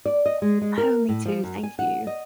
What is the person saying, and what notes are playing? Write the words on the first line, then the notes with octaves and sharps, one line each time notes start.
Oh, me too, thank you.
D5
D#5
G#3
G#3
A#4
A2
F3
F#2
G#5
F#5
D#5